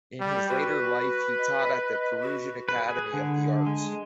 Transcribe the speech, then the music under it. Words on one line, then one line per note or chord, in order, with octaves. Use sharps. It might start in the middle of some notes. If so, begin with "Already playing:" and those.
In his later life he taught at the Prussian Academy of the Arts.
G3
F#4 B4
D#5
F#4
B4
G#4
D3
G#3